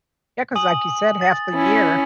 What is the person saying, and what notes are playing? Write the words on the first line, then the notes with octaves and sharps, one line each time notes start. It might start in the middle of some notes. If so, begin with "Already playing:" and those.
Yeah, 'cause like you said, half the year,
G#5 D#6 F#7
A6
C#4 E4